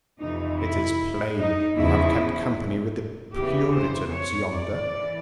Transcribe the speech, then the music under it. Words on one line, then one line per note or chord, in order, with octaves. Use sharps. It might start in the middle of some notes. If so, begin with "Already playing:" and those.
It is plain you have kept company with the Puritans yonder.
F2 C3 E3 D#4
E4
D#4
E2 C#3 F3 E4
E2 C#3 E3 G4
C5
C#5
D5
E3